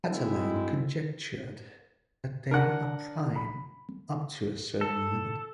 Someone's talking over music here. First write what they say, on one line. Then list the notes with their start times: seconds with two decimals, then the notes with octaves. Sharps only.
Catalan conjectured that they are prime "up to a certain limit".
0.11 D3 F#3 G#3 C4 D#4 E4
2.51 D4 A#4 F#5
3.36 B5
4.81 A4